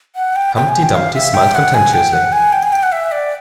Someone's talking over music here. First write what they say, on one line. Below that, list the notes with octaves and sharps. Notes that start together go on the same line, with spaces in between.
Humpty Dumpty smiled contemptuously.
F#5
G5
G5
G#5
G5
F5
E5
G5
F#5
G#5
G5
F#5
G#5
G5
G#5
G5
F#5
E5
D5